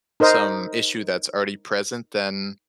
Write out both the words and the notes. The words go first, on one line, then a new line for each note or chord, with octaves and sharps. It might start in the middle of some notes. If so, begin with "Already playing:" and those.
some issue that's already present, then
D#4 A#4 C5 D#5